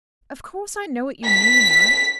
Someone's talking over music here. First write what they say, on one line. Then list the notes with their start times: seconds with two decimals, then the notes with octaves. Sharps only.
"Of course, I know what you mean, aunt?"
1.24 B6